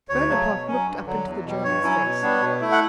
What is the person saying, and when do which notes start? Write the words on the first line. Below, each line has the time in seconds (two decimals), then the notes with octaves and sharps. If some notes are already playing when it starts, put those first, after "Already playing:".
Bonaparte looked up into the German's face.
0.09 D2 C#5
0.28 C#3 F#3 A3
0.48 B2
0.67 F#3 C#4
0.86 G2
1.06 D3 F#3
1.25 E2
1.45 B2 G3
1.64 G2 C#5
1.83 F#3 C#4 E4
2.02 B2
2.22 G3 B3 D4
2.41 B2
2.61 A3 E4
2.72 F#5